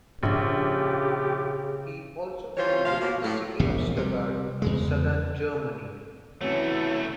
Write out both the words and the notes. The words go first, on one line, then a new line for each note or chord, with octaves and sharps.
He also founded the city of Stuttgart in southern Germany.
A#1 C#3 G4
E3 G3 C#4 F4 C5 C#5
D2 F3 C5 F5
B2 A#3
A2 F#3
E1 A#1 C3
C3 G3
E2 C#3 G#3
E2 C3 E3 F#3 A3 C#4